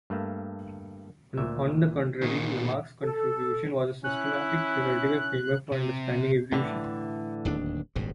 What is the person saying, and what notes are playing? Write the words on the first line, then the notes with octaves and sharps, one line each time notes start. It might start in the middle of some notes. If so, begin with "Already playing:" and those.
On the contrary, Lamarck's contribution was a systematic theoretical framework for understanding evolution.
G2 A3 A#3
D2 A#2 E5
A#2 D#3 G#4
A4
C#4 E4 F#6
C3
A2 D3 E3
D1 D#2 D4
D#1 G#1 G2